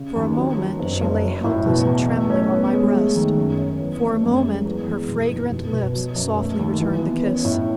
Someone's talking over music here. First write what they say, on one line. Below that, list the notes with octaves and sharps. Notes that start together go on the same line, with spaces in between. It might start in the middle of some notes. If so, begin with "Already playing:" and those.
For a moment she lay helpless and trembling on my breast; for a moment her fragrant lips softly returned the kiss.
Already playing: C#3
D#2
F#3
F#3
F#1
F#1
F#3
A2
B2
E2
A3
C#4
B3
G#3
A3
D#3
F#2
C#4
E2
A3
F#2
G#3
E2
E2
B2
B1
B2
B2
F#3
F#2
A3
D#2
E3
B3
C#4
A2